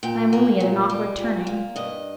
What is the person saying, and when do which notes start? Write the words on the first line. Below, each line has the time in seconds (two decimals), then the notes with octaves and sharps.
I am only at an awkward turning.
0.03 A#2 G5
0.33 A#3
0.60 A#2
0.90 G3
1.18 A#2
1.47 A#3
1.76 G2 D#5